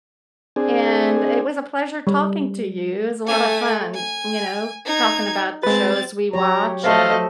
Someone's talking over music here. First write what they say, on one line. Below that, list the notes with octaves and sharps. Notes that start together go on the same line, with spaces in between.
and it was a pleasure talking to you. It's a lot of fun, you know, talking about the shows we watch and
C4 D4 G#4
G3
A3 G#5
G#5
D#4 G#6
G#3 C4 B4 A6
F#3 G4 C#5 A#5
A3 A4 C5 D#5 F5